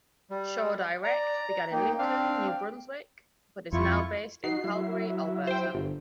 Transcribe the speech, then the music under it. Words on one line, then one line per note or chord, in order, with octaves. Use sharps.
Shaw Direct began in Lincoln, New Brunswick, but is now based in Calgary, Alberta.
G3
D5 A#5
A#3 D#4 G5
C4 D4 F5 G5
F2 E4 F4 C#6
D#4 F#4 C7
F#3 E4
C5 G5
G1